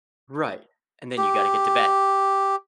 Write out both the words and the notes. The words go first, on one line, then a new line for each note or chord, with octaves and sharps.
Right, and then you gotta get to bed.
G4